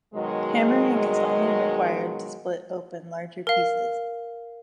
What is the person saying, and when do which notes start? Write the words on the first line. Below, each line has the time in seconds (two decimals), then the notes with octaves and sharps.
Hammering is only required to split open larger pieces.
0.14 B2 D#3 F#3 G#3
3.47 A#4 F5